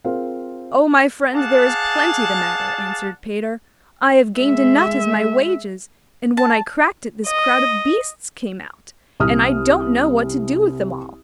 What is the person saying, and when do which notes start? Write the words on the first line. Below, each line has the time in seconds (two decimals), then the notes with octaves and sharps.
'Oh, my friend, there is plenty the matter,' answered Peter. 'I have gained a nut as my wages, and when I cracked it this crowd of beasts came out, and I don't know what to do with them all!'
0.04 C4 F4 G#4 A#4 C5 F5
1.34 G#4 D5 F5 F#5 A5
4.39 G#3 E5
6.37 A5
7.27 D#5
9.20 C2 D#6 F6